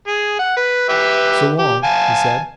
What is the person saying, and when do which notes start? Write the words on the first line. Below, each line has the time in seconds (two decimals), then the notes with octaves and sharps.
"So long," he said.
0.07 G#4
0.39 F#5
0.57 B4
0.89 G4 B4 E5
1.59 G4
1.84 F5 G#5 A5